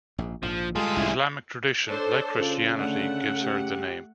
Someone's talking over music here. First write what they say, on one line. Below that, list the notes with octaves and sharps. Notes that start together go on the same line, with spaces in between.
Islamic tradition, like Christianity, gives her the name.
A#1 G#2
A#1 G#2 F3
G3 G#3 F4 G#4 A4
C2 C#4 E4
D4 A4 C5 C#5
C#3 F4
D3 A3 F#5
G4